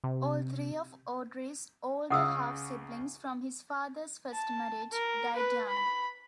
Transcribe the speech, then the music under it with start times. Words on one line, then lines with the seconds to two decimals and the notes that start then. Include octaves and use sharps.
All three of Awdry's older half-siblings from his father's first marriage died young.
0.04 C3
2.10 C#2 C#3 F5 F#5 D#6 E6
4.33 A5
4.92 A#4
5.36 B4
5.69 B5